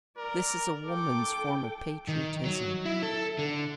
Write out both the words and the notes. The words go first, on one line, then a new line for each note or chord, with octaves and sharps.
This is a woman's form of patriotism.
A#4 D5
A4 G5 D6
D#3
F#3
E4
A4
D3